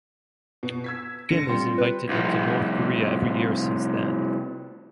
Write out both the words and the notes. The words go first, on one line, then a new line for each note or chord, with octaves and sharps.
Kim has invited him to North Korea every year since then.
B2
E6 G#6 B6
D3 A#6 C#7
G3 C4 F4
B4
C2 F3